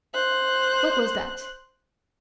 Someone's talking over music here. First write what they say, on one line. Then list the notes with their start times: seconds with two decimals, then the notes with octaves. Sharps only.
What was that?
0.14 C5 F#6